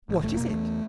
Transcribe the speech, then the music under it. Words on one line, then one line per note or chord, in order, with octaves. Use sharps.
"What is it?"
A1
F1 A3
B2 A#3
E2 A3